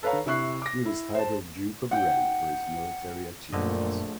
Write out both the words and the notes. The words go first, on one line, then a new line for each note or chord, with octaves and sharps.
He was titled Duke of Ren for his military achievements.
A4 B4 C#5 F5 A#5
C3 E4 E5 C#6 F#6 C7
D6 A#6
E4
C5 A5
F#5 G5
A#1 F#2 A#2 D3 A3 D#5